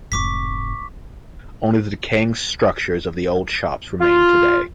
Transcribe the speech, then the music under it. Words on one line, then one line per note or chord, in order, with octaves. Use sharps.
Only the decaying structures of the old shops remain today.
F1 G#2 C#6 D6 B6
F4